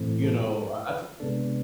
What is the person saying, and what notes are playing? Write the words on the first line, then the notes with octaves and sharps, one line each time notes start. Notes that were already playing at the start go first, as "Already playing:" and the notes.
you know, I I took
Already playing: A2 E3 A3 C4
A4
A4
B4
C3 G#3 B3 D4 A4